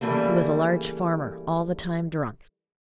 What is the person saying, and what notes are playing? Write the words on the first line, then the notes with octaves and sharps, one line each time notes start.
He was a large farmer, all the time drunk.
C#3 E3 G3 A3 A#3